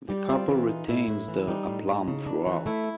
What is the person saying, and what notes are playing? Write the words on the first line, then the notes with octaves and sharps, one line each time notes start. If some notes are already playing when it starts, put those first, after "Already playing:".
The couple retains their aplomb throughout.
G3 G4
C4 F4
E3
D#4
A2 E4
A2
E3
G3 D#4
A2
A2
C#3
D4
E3
A3 E4